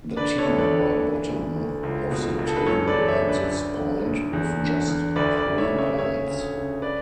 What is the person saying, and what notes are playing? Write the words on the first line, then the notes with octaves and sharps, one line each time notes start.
The team were bottom of the table at this point, with just three points.
D3 B4 D5
A4 C#5
D2
B4 D5
D3
B4 D5
E3
D2
D2
C#2
B2
C#2
A4
B4
F#2 A4 C#5
B4 D5
F#2
C#5 E5
D3
B4 D5
D2
D3
D2
E2
D3
E2
D2 B4 D5
B4 D5
D2
C#5 E5
C#3
C#5 E5
C#3 C#5 E5
D2
C#3
B4 D5